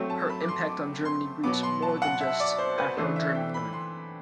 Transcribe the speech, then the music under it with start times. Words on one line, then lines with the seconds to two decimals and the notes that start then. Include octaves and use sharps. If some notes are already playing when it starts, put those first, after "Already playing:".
Her impact on Germany reached more than just Afro-German women.
Already playing: F#3 A3 C4
0.10 A5
0.29 B5
0.41 D6
0.48 C6
0.67 D6
1.05 C6
1.43 B2 F#3 B3 D6
1.63 C6
1.82 A5
2.02 F#5
2.21 E5
2.40 D5
2.58 C5
2.78 B4
2.97 E3 A3 D4 C5
3.16 E5
3.35 G5
3.54 B5
3.73 C6